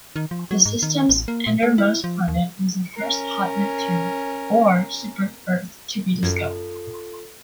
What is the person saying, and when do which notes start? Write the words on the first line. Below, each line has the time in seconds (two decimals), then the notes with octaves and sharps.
The system's innermost planet was the first 'hot Neptune' or 'super-Earth' to be discovered.
0.16 D#3
0.31 F3
0.51 F#3
0.65 G#2
0.83 D#3
1.09 A1
1.28 A#3
1.47 A#2
1.63 A3
1.78 E4
2.04 F3
2.28 D#2
2.96 C#4 A#4
6.23 F#2 F4 A4 G#6